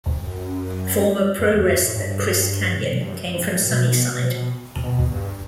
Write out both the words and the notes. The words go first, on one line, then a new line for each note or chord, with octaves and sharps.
Former pro wrestler Chris Kanyon came from Sunnyside.
F#2
F#2
E2
F#2
A2
G2
G2
F#2
F#2
G2
A2
B2
B2
G2